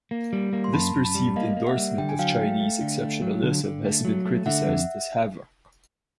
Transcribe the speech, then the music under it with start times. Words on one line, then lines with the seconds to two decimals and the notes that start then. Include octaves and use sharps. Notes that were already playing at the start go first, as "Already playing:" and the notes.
This perceived endorsement of Chinese exceptionalism has been criticized as havoc.
0.11 A#3
0.33 G3
0.53 A#3
0.64 C6
0.73 F#2 A5 B5
0.95 F#2
1.05 A5 B5
1.15 G3
1.36 A#3 D#5 F5
1.57 A#3
1.67 E5 F#5
1.77 G3
1.98 D3 G5
2.09 G#5
2.19 F#3 F5 G5
2.39 A3
2.60 A3
2.81 D3
3.01 A3
3.22 F#3
3.43 D3
3.64 D3
3.84 A3
4.05 F#3
4.25 A3
4.46 D3 E5 F#5
4.67 F2